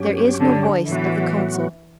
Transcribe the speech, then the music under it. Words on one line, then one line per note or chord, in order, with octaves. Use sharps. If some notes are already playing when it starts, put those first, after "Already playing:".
There is no voice of the council.
Already playing: G2 F#3 C#4 G4
D3
A2 E3 F#3 B3 F#4